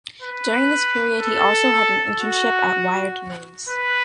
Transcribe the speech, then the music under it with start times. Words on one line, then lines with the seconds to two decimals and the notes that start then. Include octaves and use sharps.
During this period he also had an internship at Wired News.
0.22 B4
1.21 A4
2.20 F#4
3.69 B4